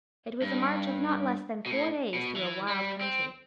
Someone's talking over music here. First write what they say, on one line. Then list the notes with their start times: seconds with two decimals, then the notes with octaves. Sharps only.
It was a march of not less than four days through a wild country.
0.42 G2
1.66 B2
1.71 A2
2.14 B2
2.36 E3
2.68 G3
3.01 C4